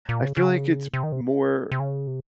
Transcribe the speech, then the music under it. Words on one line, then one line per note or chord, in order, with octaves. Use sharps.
I feel like it's more
A#2
C#3
C#3
C3
D#3
C3
C3
C#3
C3